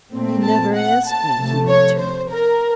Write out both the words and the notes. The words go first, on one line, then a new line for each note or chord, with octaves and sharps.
"You never asked me," he returned.
A#2 A3 C4
A5
F#5
A5
C3 F3 A3
C#5
C5
A#4